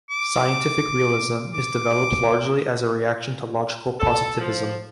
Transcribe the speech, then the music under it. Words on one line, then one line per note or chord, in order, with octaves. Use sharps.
Scientific realism is developed largely as a reaction to logical positivism.
D6
D6
A4
F3